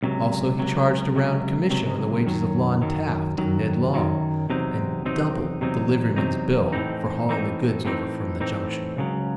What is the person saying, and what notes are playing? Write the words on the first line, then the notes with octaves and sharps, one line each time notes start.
Also he charged a round commission on the wages of Lon Taft and Ned Long, and doubled the liveryman's bill for hauling the goods over from the Junction.
C#2 C3 F#3
C#2 C3 F#3
C#2 C3 F#3
C#2 C3 F#3
F#2 D#3 F#3
F#2 D#3 F#3
F#2 D#3 F#3
F#2 D#3 F#3
E2 C3 F#3 C4 D#4
E2 C3 F#3 C4 D#4
E2 C3 F#3 C4 D#4
E2 C3 F#3 C4 D#4
A2 E3 C4 D#4
A2 E3 C4 D#4
A2 E3 C4 D#4
A2 E3 C4 D#4
C#2 C#3 F#3